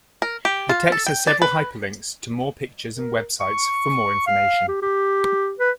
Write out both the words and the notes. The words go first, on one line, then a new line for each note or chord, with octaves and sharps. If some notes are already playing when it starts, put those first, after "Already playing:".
The text has several hyperlinks to more pictures and websites for more information.
A#4
G4
F4
A4
G5
D5
B4
A#4
C#6
F5
G4
G4
B4